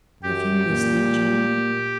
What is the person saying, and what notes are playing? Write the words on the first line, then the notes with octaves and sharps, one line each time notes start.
"Have you missed me, June?"
F#2 G4
A#2